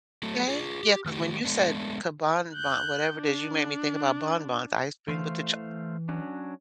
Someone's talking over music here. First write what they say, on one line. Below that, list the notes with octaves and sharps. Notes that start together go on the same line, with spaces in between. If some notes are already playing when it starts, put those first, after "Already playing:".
Yeah, eh yeah 'cause when you said "Kanban” whatever is, you made me think about bonbons ice cream with the choc
F#3 A3
F4 G#4
G4
D#3 A3 F#4 G4
G#3 A3 B3 D4
F#6 G6
D4
E3 A3 C5 F5
F#3 C#4 D4